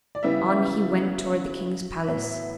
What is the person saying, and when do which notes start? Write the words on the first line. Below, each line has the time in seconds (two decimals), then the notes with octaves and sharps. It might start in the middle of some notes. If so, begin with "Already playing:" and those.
On he went toward the king's palace.
0.15 D5
0.23 C#3 G3 B3 E4 E5
2.07 A2 F#3 B3 E4 E5